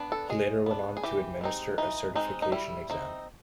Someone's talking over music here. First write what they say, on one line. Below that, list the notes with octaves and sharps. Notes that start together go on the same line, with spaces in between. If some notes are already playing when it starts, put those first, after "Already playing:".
He later went on to administer a certification exam.
Already playing: B3 D4
A4
G#3 G#4
B3 D4
G#4
E3 G4
G#3 C4 D#4
E3 D#4
G#3 C4 D#4
D#4
G3 E4
C4 D#4